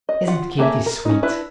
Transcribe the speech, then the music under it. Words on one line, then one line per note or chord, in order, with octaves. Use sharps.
"Isn't Katy sweet?"
D#5
F4 F#5
A3 A#3 G#4 D5 E5
A#4
C#4 D#4
D4 E4 B4